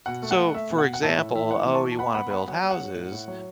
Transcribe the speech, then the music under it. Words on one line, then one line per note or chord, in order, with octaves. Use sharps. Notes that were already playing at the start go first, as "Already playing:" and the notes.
So, for example, "Oh, you wanna build houses,
B2 F#5
A3
F#5
A3
A3 E5
B2
F#5
B2
F#5
A2 E5 A5
A2 E5
E3 E5
A2 F#5
E3
A5 C#6
B3
A5
B3 F#5 B5
B3 F#5 B5
B3 F#5 B5
F#3 F#5
F#3
F#5
F#3
A2
A2
F#3